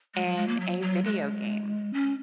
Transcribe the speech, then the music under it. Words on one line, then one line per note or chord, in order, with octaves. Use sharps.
in a video game.
G#3
F#3
G#3
A#3
F#3
F#3
G#3
C#4